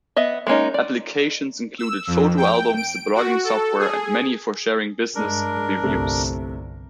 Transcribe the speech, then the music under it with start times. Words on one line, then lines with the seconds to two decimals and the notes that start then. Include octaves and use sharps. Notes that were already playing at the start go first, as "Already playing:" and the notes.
Applications included photo albums, blogging software, and many for sharing business reviews.
0.17 B3 D#5 E5
0.47 G#3 A#3 C#4 D#4
0.74 D5
1.78 E6
2.07 F2
2.37 G5
2.76 D7
3.15 F#4
3.44 A4
3.79 G#4
5.15 G2 G#3 D4 A#4
5.83 G1 C2 C3 A3